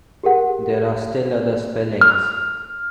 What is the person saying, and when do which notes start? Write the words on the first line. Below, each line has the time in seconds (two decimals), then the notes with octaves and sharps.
There are still other spellings.
0.23 G4 G#4 A#4 F#5
2.01 F6